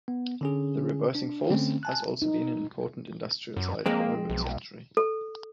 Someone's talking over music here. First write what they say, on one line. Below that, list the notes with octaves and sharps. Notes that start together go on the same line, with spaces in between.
The Reversing Falls has also been an important industrial site for over a century.
B3
D3 C#4 G#4
D4
D3 A3 C4 C#4
G#5 A5 F#6
D#4
F#2
F2 G#3 A#3 C4
B1
A4